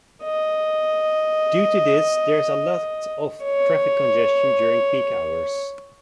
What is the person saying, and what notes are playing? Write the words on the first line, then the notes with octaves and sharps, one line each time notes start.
Due to this there is a lot of traffic congestion during peak hours.
D#5
C#5